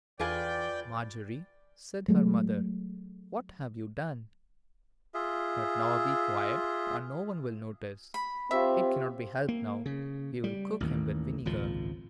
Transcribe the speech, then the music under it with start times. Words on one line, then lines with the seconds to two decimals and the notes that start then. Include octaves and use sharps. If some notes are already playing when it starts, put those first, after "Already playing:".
"Margery," said her mother, "what have you done!--but now be quiet, and no one will notice; it cannot be helped now--we will cook him in vinegar."
0.19 E2 F4 G#4 B4 D5 G5
2.08 F#3 G#3 A3
5.14 F4 G#4 E5
8.14 B5
8.51 C4 F4 G4 C#5 E5
9.48 A#3
9.86 C#3
10.44 G3
10.80 A1 D#2 D#3
11.45 G#1 C#2 A#2 F3